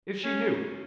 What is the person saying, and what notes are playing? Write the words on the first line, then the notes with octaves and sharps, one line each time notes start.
If she knew!
C#4